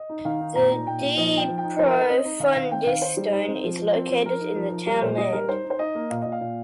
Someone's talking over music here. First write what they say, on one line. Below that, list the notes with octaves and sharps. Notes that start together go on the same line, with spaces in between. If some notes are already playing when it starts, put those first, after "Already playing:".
The De Profundis Stone is located in the townland.
Already playing: D#5
D#4
D#3 F5
D#4
A#2 A#5
D#4
A#2 G5
A#2
F3 D#5
D#4 G5
F3
G5
D#4
F3 C5
A#4
D#4
A#4
C4 D#5
D#4
D#3 F5
D#3 F5
C4 G5
D#3 F5
D#4 C5
G3
D#4
C4
F3
F3
C4
F3
F3 A#4
D#4
F3
F3
G3 A#4
A#2 C5
G3 D#5
G3 A#4
D#4 C5
D#4
C5
D#4 D#5
A#3
A#2 F5
A#2 D#5
F5
A#2